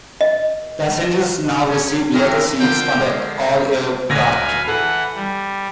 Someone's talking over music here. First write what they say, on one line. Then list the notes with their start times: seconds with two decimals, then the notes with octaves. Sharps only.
Passengers now receive leather seats on all aircraft.
0.21 D#5
1.69 C#4
2.14 A2 E3 A#4
2.60 D3 F3 A#3 G5
3.04 G#3
3.46 C4
4.09 D2 B4 F5 G#5 A#6
4.67 E3 A4 F#5
5.15 G3